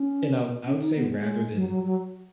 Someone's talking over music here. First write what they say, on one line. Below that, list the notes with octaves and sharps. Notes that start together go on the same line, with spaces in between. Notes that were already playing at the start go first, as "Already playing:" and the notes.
you know, I would say rather than
Already playing: C#4
C#4
D#4
B3
G#3
F#3
F#3
F#3